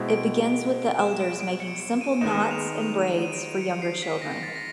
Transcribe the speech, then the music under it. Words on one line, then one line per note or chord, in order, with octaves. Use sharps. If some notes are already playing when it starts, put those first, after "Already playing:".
It begins with the elders making simple knots and braids for younger children.
Already playing: B2 G#3 C4 E4
D7
E7
D7
D7
C#7
D7
D#7
D#3 G#3 B3 D#4 E7
F7
F7
D#7
D#7
D7
D#7
D7
C#7
C7
C7
B6
A#6
A6
A#6